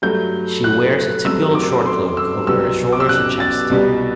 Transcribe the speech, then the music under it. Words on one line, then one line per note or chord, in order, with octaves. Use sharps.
She wears a typical short cloak over her shoulders and chest.
G2 F#3 A3 G6
F#6
G2 F#3 A3 C4 E6
D6
C6
E6
C2 B2 F#3 B3 E6
D6
E6
F#6
A6
C2 B2 G3